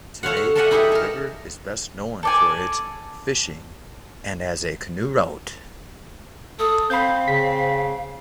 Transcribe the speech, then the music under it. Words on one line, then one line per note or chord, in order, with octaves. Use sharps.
Today the river is best known for its fishing and as a canoe route.
A4 C#5 F5 F#5
F#4
A4 A#4 D5 E5 F#5 G#5
D#4 E4 G4 G#4 B4 F#5
A4 A#4
A4 D5 G#5
A4 D#6
C4 F5 B5 G6
C#3 B6